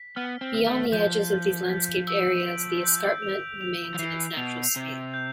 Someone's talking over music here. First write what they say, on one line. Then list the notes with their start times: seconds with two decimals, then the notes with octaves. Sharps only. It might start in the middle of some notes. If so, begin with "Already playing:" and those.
Beyond the edges of these landscaped areas, the escarpment remains in its natural state.
Already playing: B6
0.16 B3 F6
0.41 C4
0.54 F6
0.67 A3
0.92 F3 G6
1.31 G6
1.69 B6
2.07 E6
2.46 D7
2.84 G6
3.22 F7
3.61 F7
3.94 F3
3.99 E3 C7
4.37 B2 F7
4.75 C3 F7
5.14 G6